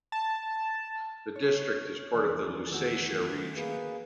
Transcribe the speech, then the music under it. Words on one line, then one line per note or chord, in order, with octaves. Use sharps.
The district is part of the Lusatia region.
A5
C#5
E2 E3 F3 A4 D5
D#3 A3 F#4 G#5 E6 G6
A#3 G#4 B4